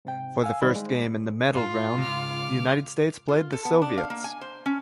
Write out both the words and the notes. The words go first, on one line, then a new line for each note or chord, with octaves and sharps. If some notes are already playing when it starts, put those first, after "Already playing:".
For the first game in the medal round, the United States played the Soviets.
G#2 C3 G5
F5 G#5 E6
D#3 G3 D#4 C5 D5 B5
G#3
G#2 F4
C#2 D6 F6
F4
A4
B3
D4
F5
A#3
G#5
C5
C#4